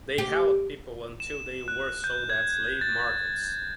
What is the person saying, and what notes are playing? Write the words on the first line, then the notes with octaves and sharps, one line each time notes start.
They held people until they were sold at slave markets.
G4
E7
F#6
G6
G#6
A6